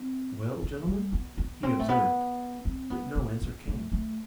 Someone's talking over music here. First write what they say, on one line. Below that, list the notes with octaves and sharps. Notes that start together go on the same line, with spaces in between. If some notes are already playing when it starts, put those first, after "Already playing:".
"Well, gentlemen?" he observed, but no answer came.
Already playing: C4
B3
G3
B3
B3
C4
A3
B3
C4
B3
B3
B3
A3
A3